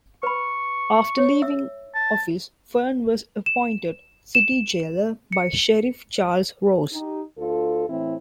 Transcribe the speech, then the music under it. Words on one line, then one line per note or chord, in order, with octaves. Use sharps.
After leaving office Fern was appointed City Jailer by Sheriff Charles Rose.
B4 B5 C#6
C#5
E5 E6
A5
E7
E7
C#7
D#4 G4
D2 F4 A4
A2 E3 C4 E4